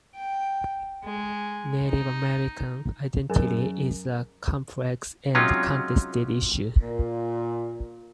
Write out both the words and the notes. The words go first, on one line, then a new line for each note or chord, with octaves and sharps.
Native American identity is a complex and contested issue.
G5
G#3
D#4
F#2 G#4 A#4 G#5
C3 F#3 G#3 C#4 D#4 F4
A#2